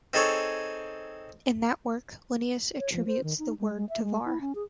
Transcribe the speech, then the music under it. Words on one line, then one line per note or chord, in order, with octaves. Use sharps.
In that work, Linnaeus attributes the word to Varr.
C4 D#4 G#4 A4 C#5
C#5
F3
C5
D#3
D#4
G#3
G#3
E5
G#3
E4
C#4
G#4